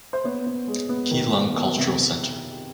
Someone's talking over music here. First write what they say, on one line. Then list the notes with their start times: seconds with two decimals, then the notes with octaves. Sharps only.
Keelung Cultural Center.
0.13 C5
0.24 B3 C#5
0.47 B3
0.67 G#3
0.89 B3
1.11 D#3
1.33 B3
1.55 B3
1.76 C3